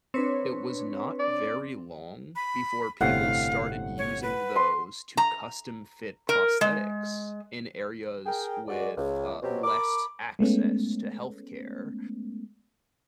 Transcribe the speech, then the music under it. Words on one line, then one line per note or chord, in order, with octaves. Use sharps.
it was not very long before people started using those to custom-fit prosthetics in areas with, uh, less access to health care,
C4 D4 B4 C#5
D5
B5
G1 A2 C3 F5 F#5
C#5
B4
C6
A#5
A#4
G#3
G#4 A#4 G5
F#2 G#3 F#4 D5
C#2
B2 F#3 C4 C#4 G4
A#4 B5 D6
G#3 A3 B3 C#4